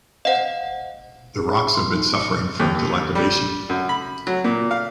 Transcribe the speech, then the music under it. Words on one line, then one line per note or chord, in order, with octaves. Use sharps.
The rocks have been suffering from dilapidation.
C5 D#5 F5 F#5
G#4
B5
C6
D#4
C#7
D#2
G3
F#2
B5
F#3
A#2
F5